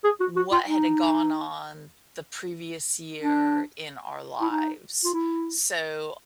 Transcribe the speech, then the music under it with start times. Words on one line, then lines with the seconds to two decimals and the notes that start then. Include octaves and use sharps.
what had gone on the previous year in our lives. So,
0.04 G#4
0.20 F#4
0.36 F#4
0.52 F4
0.68 D#4
3.22 D4
4.41 E4
4.50 D#4
5.04 F4
5.14 E4